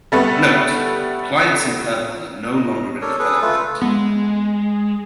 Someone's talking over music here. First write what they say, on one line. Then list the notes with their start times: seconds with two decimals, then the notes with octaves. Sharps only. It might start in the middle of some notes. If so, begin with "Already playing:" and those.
Note: Clients in purple are no longer in development.
0.12 G3 A3 B3
2.55 D#5
3.01 A4 A#4 C#5 D5
3.19 G#4 A4 B4
3.42 A3 F4 A4 B4
3.82 G#3 B3